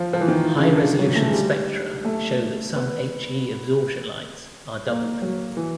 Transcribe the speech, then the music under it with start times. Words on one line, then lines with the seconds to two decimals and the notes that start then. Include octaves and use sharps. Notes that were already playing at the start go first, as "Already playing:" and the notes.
High resolution spectra show that some He absorption lines are doubled.
Already playing: F3
0.13 F3
0.21 E3
0.28 D#3
0.57 C#3
0.64 D3
0.99 F#3
1.15 A3
1.25 G#3
1.34 G3
2.05 A3
2.76 B3
4.87 A#3
5.22 F#3
5.57 E3